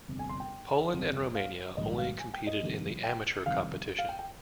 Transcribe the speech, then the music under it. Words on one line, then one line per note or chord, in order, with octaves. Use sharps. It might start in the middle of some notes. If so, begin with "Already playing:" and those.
Poland and Romania only competed in the amateur competition.
G1 F2 C3
G#5
C6
G5
G1 F2 C3 G3
F5
A#1 G#2 D#3 G3 D#5
F5
G#5
G5
D#5
F1 F2 D#3 G3
G5
F1 F2 D#3 G3 F5
F5
G5
G5